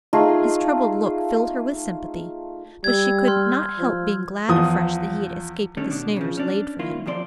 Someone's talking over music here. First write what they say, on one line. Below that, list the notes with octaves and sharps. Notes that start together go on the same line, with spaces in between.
His troubled look filled her with sympathy, but she could not help being glad afresh that he had escaped the snares laid for him.
A3 D#4 F4 G#4
G3 E6 G#6
C6 F6 G6
F3
E2 F3 D#6
D3 D#3 G3 A3 C#4 D4
B2 D4
C#3 F3
C#4 D4
D#3 A#3 E4 F4
F#2 C3 F3 D5 C6